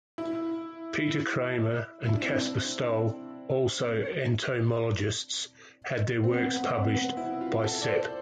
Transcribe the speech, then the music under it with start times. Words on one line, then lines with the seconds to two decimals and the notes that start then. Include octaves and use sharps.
Pieter Cramer and Caspar Stoll, also entomologists, had their works published by Sepp.
0.18 E4
2.06 E4
2.14 D4
2.22 C4
2.30 D4
6.24 C4
6.34 B3
6.53 B3
6.72 C4
6.94 B3
7.17 E4
7.41 F4
7.64 A4
7.82 D5
7.88 C5